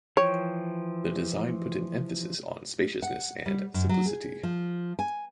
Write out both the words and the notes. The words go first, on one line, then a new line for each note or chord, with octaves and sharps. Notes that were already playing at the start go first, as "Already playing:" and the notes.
The design put an emphasis on spaciousness and simplicity.
E3 F3 C#5 G5
F#5
G3
F#2
F#3
G#4
F3
G#5